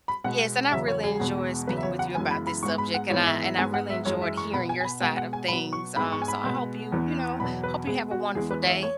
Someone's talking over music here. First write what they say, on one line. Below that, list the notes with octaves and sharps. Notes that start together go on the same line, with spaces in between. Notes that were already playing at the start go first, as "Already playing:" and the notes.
Yes, and I really enjoyed speaking with you about this subject, and I and I really enjoyed hearing your side of things. Um, so I hope you, you know, hope you have a wonderful day.
B5
B2 G#3 B3 F#5
E2 C#3 F#3 E5
C#5
G#4
E2 B2 G#3 B3
E2 C#3 F#3 B3 B4
E5
C#5
F#5
F#2 C#3 E3 G#3 B3 G#5
B5
B5
G#2 G#3 B3 C#6
B5
F#5
G#2 E3 G#3 B3 C#5
E5
E5
G#2 G#3 B3 G#5
F#5
E5
F#2 E3 G#3 C#5
E5
C#6
B2 B3 B5
G#5
G#5
B5
B2 G#3 B3 F#5
F#5
G#5
B2 F#3 B3 B5
C#6
G#2 G#3 B3 B5
C#6
G#5
B5
B2 G#3 B3
E2 E3 B3
E2 B2 F#3 B3 B5
B4
B2 G#3 B3 G#4
F#4
E2 E3 G#3 B3 G#4
B4
C#5
E5
C#5